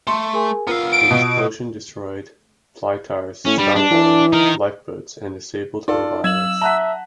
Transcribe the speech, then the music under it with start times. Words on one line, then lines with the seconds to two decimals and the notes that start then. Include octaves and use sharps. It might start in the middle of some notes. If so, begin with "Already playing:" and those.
The explosion destroyed "Blitar"s starboard lifeboats and disabled her wireless.
0.07 A3 C6
0.33 G#4 A#4 G#5
0.67 B3 F4 A#4 F5 E6
0.92 D7
1.11 B2
3.46 A2 C#4
3.59 G2 G3
3.76 G2 D4
3.91 E3
4.33 D#4 A#4
5.88 D#4 F4 A4 D5
6.24 F#3 F5 E6 G#6 E7 F#7
6.62 E5 F#5 A5 A#5 F#6 B6